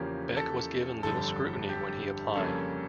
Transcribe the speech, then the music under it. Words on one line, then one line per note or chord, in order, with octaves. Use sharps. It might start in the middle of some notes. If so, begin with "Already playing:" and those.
Beck was given little scrutiny when he applied.
Already playing: E2 C#3 F3 A#3 C#4 G4
A4
G1 F2 D3 G3 A4
G4
F2 C#3 G3 A#3 C#4 A4